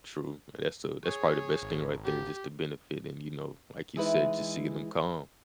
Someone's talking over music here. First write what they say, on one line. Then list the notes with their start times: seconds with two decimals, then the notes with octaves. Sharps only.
true. That's, uh that's probably the best thing right there, just the benefit and, you know, like you said, just seeing them calm.
1.04 G#4 C#5
1.62 G#1
2.05 G4
3.96 E3 G#3 D#4 E4 B4